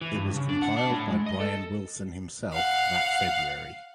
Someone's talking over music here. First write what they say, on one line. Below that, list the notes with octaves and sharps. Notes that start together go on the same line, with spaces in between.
It was compiled by Brian Wilson himself that February.
E3
G2
C#3
D4
F#5
D4
A2
G#3
D#5
A4
F5 F#5